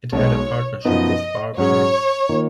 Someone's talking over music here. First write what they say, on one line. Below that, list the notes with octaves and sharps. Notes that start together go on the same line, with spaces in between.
It had a partnership with Barclays.
B1 B2 G#3 C#5
F#2 F3 B3 D#4 D#5
G#2 F#3 C#4 G#4 C#5
D#3 A#3 F4